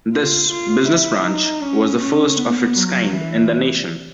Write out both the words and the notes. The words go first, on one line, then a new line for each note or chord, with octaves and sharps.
This "Business Branch" was the first of its kind in the nation.
F4
F4
E4
D#4
C#4
C#4
B3
F#3
E3